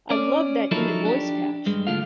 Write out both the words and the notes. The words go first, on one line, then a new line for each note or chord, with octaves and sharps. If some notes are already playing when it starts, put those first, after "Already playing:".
I loved that "Init Voice" patch.
C#4 D5
F3 F#3 D#4 E4 A4 A#4
D4 G4
G2 G#3
D2 A2 F4 A4 F5